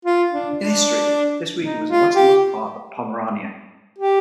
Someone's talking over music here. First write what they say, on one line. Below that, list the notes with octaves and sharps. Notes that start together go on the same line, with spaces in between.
In history this region was the westernmost part of Pomerania.
F4
D4
D4
D#4
F4
G4
G4